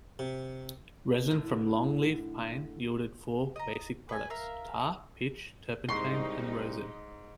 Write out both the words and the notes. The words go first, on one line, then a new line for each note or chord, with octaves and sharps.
Resin from longleaf pine yielded four basic products: tar, pitch, turpentine and rosin.
C3
A2 D3
D#5 A#5
B4 G#5
A#4 E5 F5
C2 G#2 D#4 C6 C#6 C7